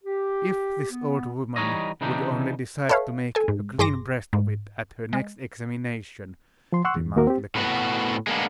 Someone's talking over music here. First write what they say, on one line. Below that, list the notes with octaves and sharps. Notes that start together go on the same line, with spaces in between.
"If this old woman would only decide to make a clean breast of it at her next examination!" remarked Lecoq.
G4
B3
E3 G3 D#4 C#5 D#5
C#3 E3 D4 D#4 G4
A4 B4 C#5 E5 F5
A4 G#5
G#2
G1 G#4 C6 D6 A#6
G#2
G#3
F3 C6
F#5 C6 C#6 E6 F#6
E2
D#2 A#3 F#4 A#4
C4 G4
A2 B3 F#4
G#3 A#3 B3 D4